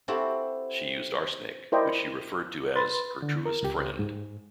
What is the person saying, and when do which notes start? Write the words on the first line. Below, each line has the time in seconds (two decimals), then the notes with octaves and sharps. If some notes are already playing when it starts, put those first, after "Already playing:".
She used arsenic, which she referred to as "her truest friend".
0.08 C4 E4 F#4 G4 A4
1.72 E4 A#4 C5 D5 D#5 G5
2.76 B4 B5 C6 A6
3.22 D3
3.45 A#4
3.63 C#2 G4
3.99 G#2